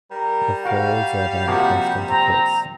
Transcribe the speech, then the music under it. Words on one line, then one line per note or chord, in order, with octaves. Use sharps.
The folds are then pressed into place.
G3 A#4
F#4 A#4 F5
C3 F3 A#3 F#4
C4 A#5